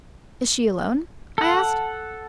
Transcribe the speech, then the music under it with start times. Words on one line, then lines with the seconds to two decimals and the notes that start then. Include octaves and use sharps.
"Is she alone?" I asked.
1.38 A4 F#5